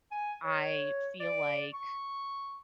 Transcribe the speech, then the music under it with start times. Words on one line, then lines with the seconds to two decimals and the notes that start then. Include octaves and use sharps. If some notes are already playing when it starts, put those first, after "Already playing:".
"I feel like
0.11 G#5
0.44 C#5
1.20 D5
1.73 C#6